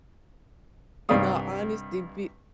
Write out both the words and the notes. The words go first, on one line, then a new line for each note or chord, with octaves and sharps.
in all honesty, be
C2 G2 D#4 D5 F5 D#6